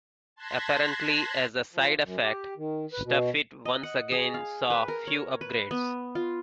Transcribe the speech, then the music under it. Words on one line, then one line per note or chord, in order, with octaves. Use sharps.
Apparently as a side-effect, StuffIt once again saw few upgrades.
A5 C6 F#6 G#6 A#6 B6
F3
F#2
G4
D#3
B4
B2
D#5
F#5
G#4
F5
B4
A#4
C#5
B4
B3
F4